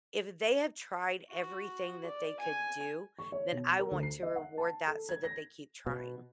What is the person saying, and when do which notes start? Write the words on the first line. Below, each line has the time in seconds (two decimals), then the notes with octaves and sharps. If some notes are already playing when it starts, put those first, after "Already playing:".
if they have tried everything that they could do, then I want to reward that so that they keep trying.
1.31 F#4
2.06 D5
2.40 G#5
3.19 C#6
3.32 C#5
3.52 B2
3.79 A#4
3.91 D2
4.03 C7
4.23 D#5
4.36 F#5
4.58 A5
4.87 A4
5.09 G#6
5.24 A#6
5.87 B2